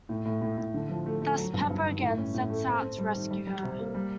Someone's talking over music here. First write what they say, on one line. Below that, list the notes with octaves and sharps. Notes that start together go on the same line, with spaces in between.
Thus, Pepper again sets out to rescue her...
A2
A2
A2
A2
D3
F3
A3
A3
F#3
G2
G2
D#3
A2
C#4
A2
A3
C4
C4
G3
D#3
G3
G3
C3
A#3
G3